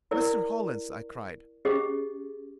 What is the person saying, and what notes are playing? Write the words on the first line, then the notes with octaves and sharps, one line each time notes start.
"Mr. Hollins!" I cried.
E4 A#4 D5
C#4 G4 G#4 D#5